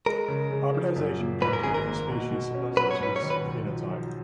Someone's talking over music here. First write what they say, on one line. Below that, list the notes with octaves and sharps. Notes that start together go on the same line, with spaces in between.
Hybridization between two different species sometimes leads to a distinct phenotype.
G#3 A#4
C#3
C#3
F3
F#2
A#3
G#2 B4
A#4
G#1 G#4
A#4
A#3
B2
B2
C#4
F#3 B4
C#5
G#2 B4
C#5
D#3
B4
B1
F3
F3